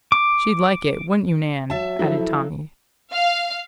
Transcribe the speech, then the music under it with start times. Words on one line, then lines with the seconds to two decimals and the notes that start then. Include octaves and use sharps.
"She'd like it; wouldn't you, Nan?" added Tommy.
0.12 D6
1.70 F#3 E5 A5
1.99 F3 F#3 E4 A4
3.13 F5